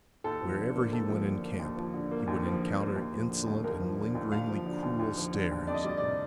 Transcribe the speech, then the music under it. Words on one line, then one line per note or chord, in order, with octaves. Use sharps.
Wherever he went in camp, he would encounter insolent and lingeringly cruel stares.
D#2 A4
F3
D3
A#3
D#2 A4
F3
D3
A#3
D#2
F3
D3
A#3
D#2
F3
D3
A#3
D#2
F3
D3
D#2
D#2 A#4
F3
D3
D#2
D#2 F5
F3
D3
D#2
D#2
F3
D3
D#2
F2 D5
D#5
G3 D5
D#5
C3 D5